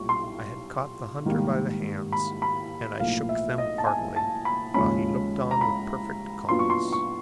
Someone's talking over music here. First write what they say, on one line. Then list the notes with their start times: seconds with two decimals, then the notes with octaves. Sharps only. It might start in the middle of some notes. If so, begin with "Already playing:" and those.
I had caught the hunter by the hands, and I shook them heartily, while he looked on with perfect calmness.
Already playing: B1 A#2 G3 C#6
0.09 C6
1.25 G#2 D#3 G3 A#3
2.12 B5
2.42 B5
3.00 B1 A2 F3 A#3 F5
3.29 E5
3.58 D#5
3.78 A5
3.87 G#5
4.16 A5
4.45 B5
4.74 D#2 C#3 F3 G#3 C#4 B5
5.51 A#5
5.61 B5
6.49 A#2 F#3 B3 D4 F4 C6
6.59 C#6
6.70 C6
6.92 C#6